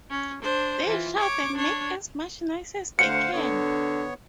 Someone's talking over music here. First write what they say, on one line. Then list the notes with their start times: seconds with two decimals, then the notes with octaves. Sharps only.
They shout and make as much noise as they can.
0.10 C#4
0.43 D4 C5
0.87 E3 F4
1.18 C#5 D6
1.56 D4 C#5
2.99 D2 C5 F5 F#5 C#7
3.32 D3 B3 C#5